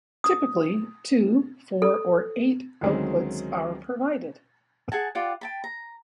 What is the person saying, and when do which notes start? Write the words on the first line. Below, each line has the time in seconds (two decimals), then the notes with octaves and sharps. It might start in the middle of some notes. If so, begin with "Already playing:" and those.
Typically, two, four or eight outputs are provided.
0.24 D#6
1.82 A4
2.81 D2 D#3 F#3 G#3 C4 C#4
4.92 G#4 F#5 G#5 A5
5.15 F4 G4 D5 F#5
5.41 G5 A5 B5
5.64 A#5